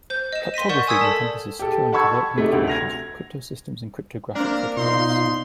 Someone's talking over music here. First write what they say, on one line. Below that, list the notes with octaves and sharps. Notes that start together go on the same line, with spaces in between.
Kleptography encompasses secure and covert communications through cryptosystems and cryptographic protocols.
C5 G6
D#5 E7
C6 A#6 B6 D#7
A#4 D5 F#5 C#6 G6 E7
G#5 D#6 E6 G#6 B6
A4 D5 A5
G4 A4
F#5 A5 B5 C#6 E6 G#6
C3 A3 D#4
D2
G#6 A#6 F7
A#3 C4 D4 A#4
B2 D#4 F4 C6